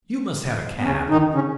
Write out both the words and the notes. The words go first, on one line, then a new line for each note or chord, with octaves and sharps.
"You must have a cab."
B3
C#3 C#4
D#3 D#4
C#3 C#4